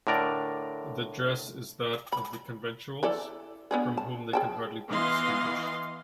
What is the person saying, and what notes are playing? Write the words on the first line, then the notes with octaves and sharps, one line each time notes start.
The dress is that of the Conventuals, from whom they can hardly be distinguished.
A2 D3 A#4 D5 A#5
B5
E3 A4 D5
B3 D4 G#4
A5
G#4 G5 A5
E3 B3 D#5 F5 C6